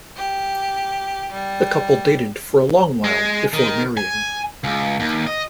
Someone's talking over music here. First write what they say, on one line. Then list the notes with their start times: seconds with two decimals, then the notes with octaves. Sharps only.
The couple dated for a long while before marrying.
0.15 G4
1.31 G3
3.04 G#3
3.53 D#3
3.97 G#5
4.64 C#2
5.00 D#2
5.27 D#5